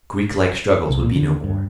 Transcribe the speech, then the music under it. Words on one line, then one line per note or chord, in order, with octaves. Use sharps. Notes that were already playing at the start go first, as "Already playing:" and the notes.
Greeklike struggles would be no more.
C2
A#2
D3
G2